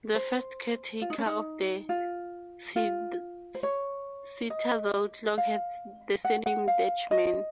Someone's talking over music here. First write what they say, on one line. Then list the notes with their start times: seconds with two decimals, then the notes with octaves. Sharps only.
The first caretaker of the Citadel Clock had the surname Dechman.
0.15 C5
1.02 F4
1.10 D#4
1.18 C#4
1.26 D#4
1.89 F4
2.76 F4
3.55 C5
3.63 C#5
4.50 D#5
5.38 F5
6.25 F#5
6.46 F#5
6.68 F5
7.11 D#5